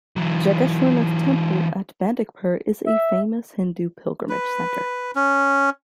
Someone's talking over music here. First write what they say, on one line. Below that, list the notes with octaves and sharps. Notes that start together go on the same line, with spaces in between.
Jageshwarnath temple at Bandakpur is a famous Hindu pilgrimage center.
E3 F#3
E5
B4
C#4